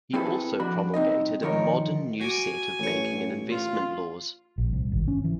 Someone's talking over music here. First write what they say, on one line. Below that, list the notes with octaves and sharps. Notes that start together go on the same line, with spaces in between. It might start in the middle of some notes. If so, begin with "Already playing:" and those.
He also promulgated a modern new set of banking and investment laws.
C4 E4 G#4 A4 B4 E5
F2 D4 F#4 B5
C2 C4 D#4 D#5
G2 D#3 F3 A#4 C#5 D#5
F#4 G#5 D6
A1 C#5
F4
A#1
C2
G#1
C#4
E3